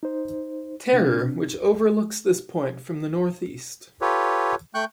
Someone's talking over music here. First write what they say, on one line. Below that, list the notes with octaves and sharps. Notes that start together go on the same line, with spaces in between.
Terror which overlooks this point from the northeast.
D#4 C5
C3 C4 D4
F4 G4 A4 B4 C#5
A3 G5 C#6 F#6 G6